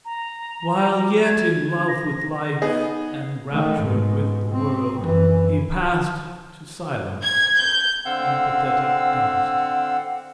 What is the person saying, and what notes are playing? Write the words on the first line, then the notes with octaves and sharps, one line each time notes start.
While yet in love with life and raptured with the world, he passed to silence and pathetic dust.
A#5
G#6
A#6
B3 D#4 G#4 D#5
D#3 A3
G#2 B2
C4
F#2 E3
G#6
G6
D3 C4 F5 F#5 E6